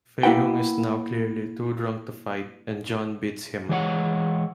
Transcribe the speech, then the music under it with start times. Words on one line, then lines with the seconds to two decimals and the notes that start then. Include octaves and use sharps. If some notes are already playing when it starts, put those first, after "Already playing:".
Fei-hung is now clearly too drunk to fight, and John beats him.
0.23 A#3 E4 B4 F#5 G5
3.69 E3 G#3 C#5 F#5